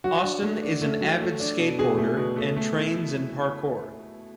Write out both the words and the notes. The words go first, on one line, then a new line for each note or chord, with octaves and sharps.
Austin is an avid skateboarder and trains in parkour.
F#3 F#4
D4
A3
D4
A3
F#3
A3
D4
B2
B2 G#4
A3
B2
A3
A3
E4